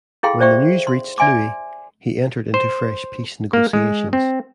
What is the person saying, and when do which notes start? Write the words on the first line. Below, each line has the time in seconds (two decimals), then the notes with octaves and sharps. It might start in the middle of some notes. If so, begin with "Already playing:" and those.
When the news reached Louis, he entered into fresh peace negotiations.
0.23 E4 G#4 A4 F5 G5 C6
0.40 C5 D5 E5 G5 C#6
0.87 C6
1.18 D5 E5 G#5 C6 D6
2.54 C5
3.53 A#3
3.73 G#3
4.13 C4